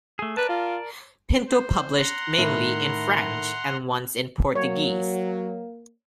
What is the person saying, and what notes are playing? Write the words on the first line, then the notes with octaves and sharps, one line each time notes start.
Pinto published mainly in French and once in Portuguese.
A3 G#4
A#4 B4 D5 A5
F4
C5
F#5 A#5 C6
A2 D#3
F#3 A#3 C#5